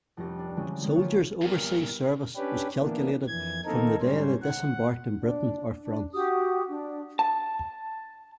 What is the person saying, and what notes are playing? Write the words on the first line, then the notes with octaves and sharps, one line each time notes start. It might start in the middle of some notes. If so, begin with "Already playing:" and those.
Soldiers' Overseas Service was calculated from the day they disembarked in Britain or France.
F1 F2 C#4 G4 A#6
D4
D3 E3 F3 G#3 C4 C#4
F3 G#3 A#3 B3
F4 C5 C#5
G2 A#2 G3 B3 A#4
C#4 D4 G4 B4
E3 A#3 B3 D4
F2 E3 G#6
D#3 A#3 C4 D#4 A4 A#4
G#2 G3 C#4 C5
F#5
D4
D4
F#4 G4 D#6
D4
A5